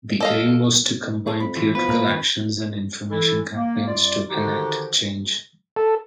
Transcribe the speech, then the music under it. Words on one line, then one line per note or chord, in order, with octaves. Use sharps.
The aim was to combine theatrical actions and information campaigns to enact change.
A4 D#5 F5
G#4 C5 A5
F2 B5
E3 F4
F3 B3 B4
A#2 A#4
F2 D#3
E3 E4 A4
A#3
F#2 G3 F4 D5
D3 D#3 F3 D#4 F#4 G4
A4